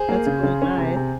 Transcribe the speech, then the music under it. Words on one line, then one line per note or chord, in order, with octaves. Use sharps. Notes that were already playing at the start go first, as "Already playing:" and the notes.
That's really nice.
Already playing: G#4 C5
A#3
C#3
C#3
C#4
C3
C3